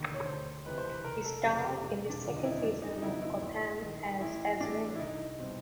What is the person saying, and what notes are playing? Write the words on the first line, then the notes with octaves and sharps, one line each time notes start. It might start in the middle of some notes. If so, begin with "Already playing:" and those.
He starred in the second season of "Gotham" as Azrael.
Already playing: E1 D#2 D3
C#5
D2 C5
C3 E3 G#3 B4
C5
B4
F1 A#4
A4
F2 C#3 G#4
G4
E1
D4
D#2 D3 F3
D#4
E4
D#4
F2 D4
D#4
D#4
C#3 F#3 B3 E4
E4
A#1
G#2 D#3 G#3
A1 E4
A2 E3 D4
E4
C2 D#4
B2 G3 C4